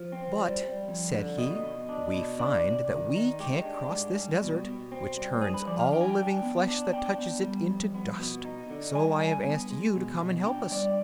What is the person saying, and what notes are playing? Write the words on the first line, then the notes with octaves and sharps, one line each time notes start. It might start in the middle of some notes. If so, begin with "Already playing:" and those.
"But," said he, "we find that we can't cross this desert, which turns all living flesh that touches it into dust; so I have asked you to come and help us."
Already playing: F3
C4
G3
G3
F2
D3
B2 D#5
B2
D4
B2
D4 D5
C3
D#3
D#4
G#3 G4
D4
G#2
G3
B2
B2
C4
G3
G2 G#4
B4
F3 D5
F5
D4 G5
G#5
G5
D4
B3
D4
D4 G5
B3
G3
F2
B3
B2
D#4
D3
G3 G#5
G2 G#5
B3
G#3
B2
B2
D4 G5
G3 D5